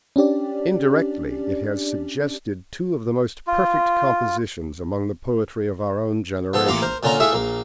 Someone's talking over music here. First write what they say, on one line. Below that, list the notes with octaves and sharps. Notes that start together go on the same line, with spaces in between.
Indirectly it has suggested two of the most perfect compositions among the poetry of our own generation.
C#4 D4 G4 D5
F4
F3 B3 A4
A1 A#3 A#5 C6 D6
A#4 C5
A#2 D3 C#4 F4 A#4 A#5
A3 E4 G#4 E5 F5
A#1 A#3